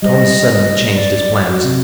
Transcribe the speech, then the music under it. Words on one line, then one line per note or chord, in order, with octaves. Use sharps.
Tom suddenly changed his plans.
G3 G#3 C5 D#5
D5
F#4
C3